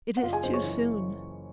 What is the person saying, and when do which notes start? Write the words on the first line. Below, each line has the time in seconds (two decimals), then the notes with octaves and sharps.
It is too soon.
0.17 F#5
0.23 F#1 F4 F5
0.33 G#4 G#5
0.43 F#1 C5 C6
0.53 C#5 C#6
0.63 E3